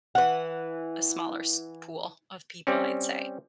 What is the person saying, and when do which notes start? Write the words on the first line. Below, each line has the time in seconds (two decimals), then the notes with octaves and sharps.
a smaller s pool of people, I'd say.
0.15 E3 F#5
2.67 G3 C4 C#4